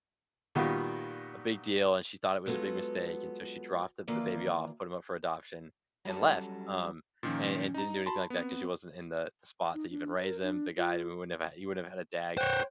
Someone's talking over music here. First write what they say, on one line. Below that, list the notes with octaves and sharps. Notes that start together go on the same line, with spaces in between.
a big deal, and she thought it was a big mistake, and so she dropped the the baby off, put him up for adoption, and left, um, and and didn't do anything like that 'cause she wasn't in the the spot to even raise him. The guy who wouldn't have he wouldn't have had a dad 'cause
A#2 D#3 G3 B3 F4 F#4
F#3 G#3 B3 F4 A4
D#3 E3 A#3 F4 D5
F#3 G3 A#3 C#4 A4
A#2 D#3 F3 C#4
D#4 A#5
F#4 A5 B5 C6
B3 C4
D#4
D4
A#4
D4
F4
C5 C#5 F#5 G5